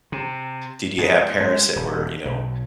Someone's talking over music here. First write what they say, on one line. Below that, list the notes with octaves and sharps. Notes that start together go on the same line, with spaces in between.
Did you have parents that were, you know,
C3
G#2
G#3
D#1
B1